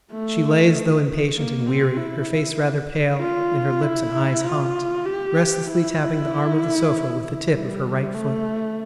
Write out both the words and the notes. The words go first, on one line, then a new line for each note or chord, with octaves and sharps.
She lay as though impatient and weary, her face rather pale and her lips and eyes hot, restlessly tapping the arm of the sofa with the tip of her right foot.
A3
A#3
C4
E4
F4
E4
F4
G4
E4
G3
A3